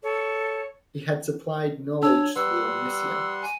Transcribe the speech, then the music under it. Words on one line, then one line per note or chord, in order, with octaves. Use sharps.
He had supplied knowledge to the omniscient.
A4 C#5
D4 C#5 A5 E6
G3 B4 F#5 C6 E6
G#5